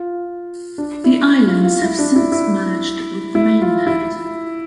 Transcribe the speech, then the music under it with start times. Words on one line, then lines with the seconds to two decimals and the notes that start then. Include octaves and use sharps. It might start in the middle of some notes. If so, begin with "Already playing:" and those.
The islands have since merged with the mainland.
Already playing: F4
0.78 D4
1.04 E4
1.47 F4
1.64 F4
1.82 E4
1.99 D4
2.16 E4
2.32 E4
3.35 E4
3.62 F4
3.87 E4